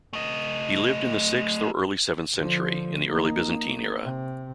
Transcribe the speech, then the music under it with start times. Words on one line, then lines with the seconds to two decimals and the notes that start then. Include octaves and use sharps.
He lived in the sixth or early seventh century, in the early Byzantine era.
0.13 A3 D#5
2.35 D3 F3
3.04 A#3 D#4
4.03 C3